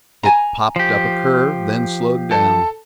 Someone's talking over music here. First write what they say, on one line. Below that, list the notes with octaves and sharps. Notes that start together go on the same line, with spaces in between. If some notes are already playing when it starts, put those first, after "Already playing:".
It popped up a curve, then slowed down.
G#5 A#5
F3 G4
A4 A5